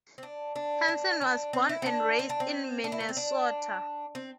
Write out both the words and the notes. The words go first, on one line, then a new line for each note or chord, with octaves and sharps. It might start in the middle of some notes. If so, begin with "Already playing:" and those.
Hanson was born and raised in Minnesota.
C4
D4
D4
D4
D4
C4
E4
C4
D4
C4
D4
C4
D4
E4
A#3
C4
D4
C4